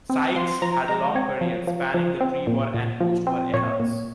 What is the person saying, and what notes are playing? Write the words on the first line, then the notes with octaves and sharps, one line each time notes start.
Sykes had a long career, spanning the pre-war and postwar eras.
C4
F3 C6
F3 A#5
G#3 A#5
C4 C#5
F3
F3
F3
C4
A#2
A#2
F3
C4
A#2 C#5
A#2